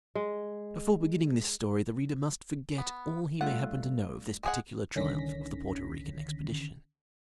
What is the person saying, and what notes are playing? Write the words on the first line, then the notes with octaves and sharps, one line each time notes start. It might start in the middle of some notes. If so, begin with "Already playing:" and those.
Before beginning this story the reader must forget all he may happen to know of this particular triumph of the Porto Rican Expedition.
G#3
B3
G2 A3 F4 F#5
G#3 G#4 F#5
C2 D3 D#3 C#4 A#6 B6